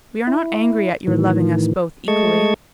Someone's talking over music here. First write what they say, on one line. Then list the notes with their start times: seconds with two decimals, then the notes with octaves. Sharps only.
We are not angry at your loving us both equally.
0.27 E4
1.07 A2 D#3 E3
2.08 G#3 A3 D#5 A5 C#6 G#6